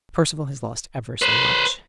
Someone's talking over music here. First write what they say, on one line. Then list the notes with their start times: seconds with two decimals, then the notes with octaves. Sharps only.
"Percival has lost ever so much."
1.22 B4 C5